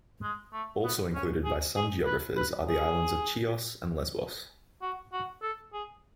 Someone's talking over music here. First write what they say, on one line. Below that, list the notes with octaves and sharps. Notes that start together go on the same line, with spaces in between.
Also included by some geographers are the islands of Chios and Lesbos.
G#3
A3
B3
C#4
G#4
G#4
B4
B4
G#4
F#4
F#4
A4
G#4